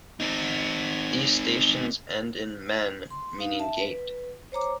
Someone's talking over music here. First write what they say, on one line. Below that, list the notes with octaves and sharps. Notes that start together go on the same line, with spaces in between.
These stations end in "men", meaning gate.
C4 D#4
C6
D#4 F5
E5 A5
B4
C5 C#5 A#5 D6